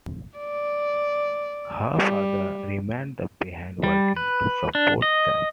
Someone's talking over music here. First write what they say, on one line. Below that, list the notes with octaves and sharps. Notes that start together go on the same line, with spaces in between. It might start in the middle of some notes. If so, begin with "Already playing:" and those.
Her father remained behind, working to support them.
D5
G3
G3
B4
D4
D#5